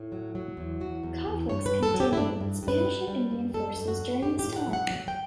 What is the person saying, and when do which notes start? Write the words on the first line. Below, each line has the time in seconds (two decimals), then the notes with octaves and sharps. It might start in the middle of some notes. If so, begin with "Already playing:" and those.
Conflicts continued with Spanish and Indian forces during this time.
Already playing: A2
0.12 F#3
0.35 F#3
0.57 E2
0.80 E2 F#4
1.03 E2
1.26 E2
1.49 G2 C#5
1.66 B4
1.72 G2
1.83 A4
1.94 F#3
2.00 G4
2.13 E4
2.17 G2 D4
2.41 G2
2.63 G2
2.68 B4
2.86 G3
3.08 G3
3.31 F#2
3.54 G3 A4
3.77 F#2
3.88 F#4
3.99 F#2
4.22 A2 G4
4.39 G4
4.45 A2
4.56 F#5
4.68 F#3
4.73 F#5
4.91 F#3 F#5
5.08 G5